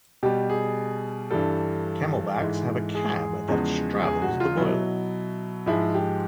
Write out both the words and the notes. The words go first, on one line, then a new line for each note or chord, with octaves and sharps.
Camelbacks have a cab that straddles the boiler.
B2 G3 G4
G#4
G2 E3 G3 A4
G#2 E3 G#3
G#4
E2 C#3 F3 G#3
G#4
F#4
F4
B2 F#3 E4
G#2 F3 G#3 E4
G4